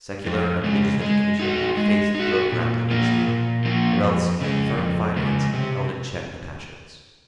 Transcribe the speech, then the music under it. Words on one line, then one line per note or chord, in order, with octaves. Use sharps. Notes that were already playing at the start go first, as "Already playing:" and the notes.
Secular and religious education had effaced the throat-grappling instinct, or else firm finance held in check the passions.
F2
C#3 G#3
G#3
D#4 F#4
G#3
D#4 F#4
A#2
F3 A#3 F4
A#2
F3 A#3 F4
F2
C#3 G#3
F2
C#3 G#3
C3